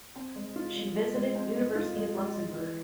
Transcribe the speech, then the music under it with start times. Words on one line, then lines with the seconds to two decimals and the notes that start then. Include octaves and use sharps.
She visited University of Luxembourg.
0.16 C4
0.36 G#3
0.56 F4
0.76 G#3
0.96 G#3
1.15 G#3
1.35 C4
1.56 G#3
1.75 F4
1.96 G#3
2.16 G#3
2.36 G#3
2.56 E3